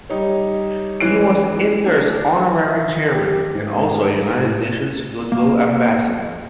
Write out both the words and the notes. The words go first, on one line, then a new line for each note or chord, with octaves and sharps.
He was Inter's honorary chairman, and also a United Nations Goodwill Ambassador.
G3 D#4 C#5
G#2 E3 C#4 F#6 C7 D7
A3 D4
E5
D#3
G4
G#2
A2
A#3